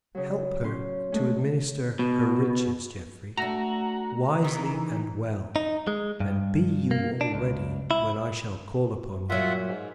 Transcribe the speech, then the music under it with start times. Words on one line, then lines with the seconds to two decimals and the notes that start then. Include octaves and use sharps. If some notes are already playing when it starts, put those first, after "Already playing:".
Help her to administer her riches, Geoffrey, wisely and well; and be you all ready when I shall call upon you.
0.15 C#3 F#3
0.64 C#4 C6
1.12 G#3 A3 C#4
1.99 B2
3.37 A3 D4 F#4 A#5
4.44 D#3 E3 D#4
5.56 D#4
5.87 G#3
6.20 G2
6.91 A#3
7.21 D4
7.34 C#2
7.91 E4
9.30 A#2 F#3 F4 E5 F#5
9.67 G#2